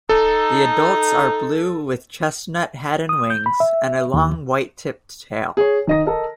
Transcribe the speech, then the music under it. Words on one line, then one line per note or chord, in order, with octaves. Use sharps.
The adults are blue with chestnut head and wings, and a long white-tipped tail.
D#4 A4
D#6
G6
B5
E5
D#2
G#4 C#5
D#3 D#5 A#6
A4 A#4 D#5